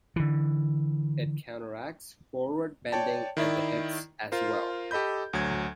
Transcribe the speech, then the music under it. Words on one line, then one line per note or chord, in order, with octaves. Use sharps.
It counteracts forward bending at the hips as well.
D3 E3
C#5 D5 G5 A5
D#3 E4 D5
F4 A#4 C5
G4 A4 D#5 B5 G6
D2 F#3 G#6